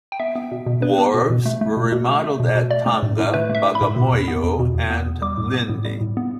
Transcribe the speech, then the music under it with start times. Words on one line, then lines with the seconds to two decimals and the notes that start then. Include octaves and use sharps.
Wharves were remodeled at Tanga, Bagamoyo and Lindi.
0.12 G5
0.20 B3 E5
0.36 B3
0.51 B2
0.66 B2
0.82 B3 B4
0.98 B3
1.14 B2
1.30 B2
1.46 A3
1.61 A3
1.77 B2
1.92 B2
2.08 A3
2.24 A3
2.40 B2
2.55 B2
2.71 A3 D5
2.86 A3
3.03 A2
3.18 A2
3.34 A3 B4
3.50 A3
3.55 E5
3.65 A2
3.75 B5
3.81 A2
3.96 B2
4.12 E2
4.28 B3
4.43 E2
4.59 B2
4.75 E2
4.90 B3
5.06 E2
5.22 G3 D6
5.38 A2
5.54 B3
5.70 A2
5.85 G3
6.01 A2
6.17 B3